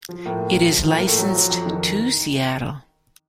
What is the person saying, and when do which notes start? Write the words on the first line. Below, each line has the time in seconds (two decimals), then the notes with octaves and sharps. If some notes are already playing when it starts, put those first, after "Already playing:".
It is licensed to Seattle.
0.09 F3
0.25 A2 A#3
0.41 A2
0.56 F3
0.72 F3
0.88 A2
0.98 A#3
1.03 A2 A3
1.19 F3 F#3
1.35 F3
1.50 F2
1.66 D#3